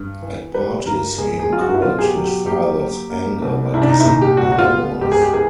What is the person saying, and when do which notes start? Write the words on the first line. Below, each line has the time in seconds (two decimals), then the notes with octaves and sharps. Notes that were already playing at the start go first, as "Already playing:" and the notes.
At parties he incurred his fathers anger by kissing other boys.
Already playing: G2
0.22 E3
0.54 G3 B4
0.86 G2 A#4
1.18 C#2 G#4
1.39 G#4
1.50 F#3 F4
1.61 F#4
1.75 E4
1.82 B2 F4
1.99 G#4
2.03 G4
2.14 F#3
2.25 G4
2.46 A#3 G4
2.78 A#3
3.10 A#3
3.42 C2
3.74 C2 E4
3.82 D4
3.89 D#4
4.00 E4
4.05 A#2 D#4
4.21 G4
4.37 G3 F#4
4.52 F#4
4.59 F4
4.69 B3
5.01 C#2 G4
5.12 G#4
5.22 G4
5.33 E3 G#4